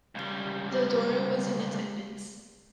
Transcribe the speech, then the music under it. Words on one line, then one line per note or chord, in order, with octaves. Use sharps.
Zadora was in attendance.
C#2 G3